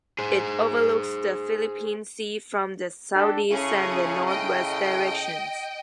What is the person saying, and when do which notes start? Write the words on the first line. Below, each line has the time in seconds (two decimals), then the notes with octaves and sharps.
It overlooks the Philippine Sea from the southeast and the north-west directions.
0.19 G#4 C5
3.15 D4 G4 A4
3.50 C#3 C#4 E4 G#4 A4
4.28 D#5 G5